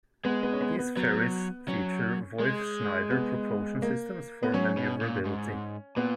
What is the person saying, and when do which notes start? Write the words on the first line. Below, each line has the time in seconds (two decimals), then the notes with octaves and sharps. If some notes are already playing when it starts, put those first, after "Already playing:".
These ferries feature Voith-Schneider propulsion systems for manoeuvrability.
0.25 G#3 B3
0.43 B3
0.53 C#4
0.61 B3
0.79 B3
0.96 F#3 B3
1.68 F#3 C#4
2.40 G#3
3.10 B3
3.82 A#3
4.43 B3
4.54 F#3 C#4
4.77 B2
5.01 A#2
5.25 G#2
5.96 A#2 B3